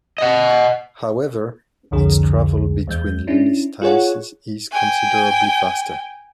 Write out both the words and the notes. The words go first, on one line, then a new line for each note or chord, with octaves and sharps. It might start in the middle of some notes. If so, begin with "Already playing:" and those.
However, its travel between lunistices is considerably faster.
D#5 F#5
C2 F2 D3 G#4
E2 G#3 G6
C#4 D4 E4
F4 G#4 C#5 F#5
G5 G#5